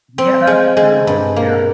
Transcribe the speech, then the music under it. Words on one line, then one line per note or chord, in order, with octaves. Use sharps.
Yeah, that's true. Yeah.
C4
G#3
G#3
G2
A#3